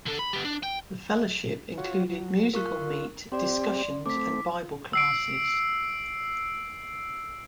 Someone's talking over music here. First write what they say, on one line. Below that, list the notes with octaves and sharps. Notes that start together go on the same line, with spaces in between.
The fellowship included Musical Meet, Discussions and Bible Classes.
D3 A4
B5
B3 G4
D4
G5
F4 F#4 C#5
F#3
F4 A#4 C#6 F#6
C4 G4 D5 C6
A3 C4 D6 B6
E6 C7 D7